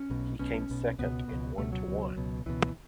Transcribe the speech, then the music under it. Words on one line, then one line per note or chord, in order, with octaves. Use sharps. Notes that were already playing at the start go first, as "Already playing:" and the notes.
He came second in One to One!
Already playing: C#4
B1 B2
B1 B2 C#4
B1 B2
C#2 B2 B3
C#2 B2
C#2 B2 A3
F#3
C#2 B2
C#2 B2
C#2 B2 E3